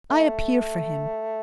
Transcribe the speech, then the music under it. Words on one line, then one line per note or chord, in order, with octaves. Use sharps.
I appear for him.
A3